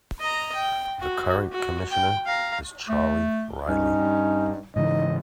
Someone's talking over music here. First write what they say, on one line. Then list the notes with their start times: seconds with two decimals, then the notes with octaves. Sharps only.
The current commissioner is Charlie Riley.
0.20 D#5 A#5
0.55 G5
1.00 F#4
1.52 F#4
1.91 G5
2.26 F5 A#5
2.89 A3
3.69 G2 C#4 D#4
4.76 G#2 C#3 E3 D#4 D#5